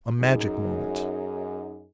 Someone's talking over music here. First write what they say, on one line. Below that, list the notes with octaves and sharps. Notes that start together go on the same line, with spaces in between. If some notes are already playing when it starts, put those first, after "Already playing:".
A magic moment.
F#2 D#4 G#4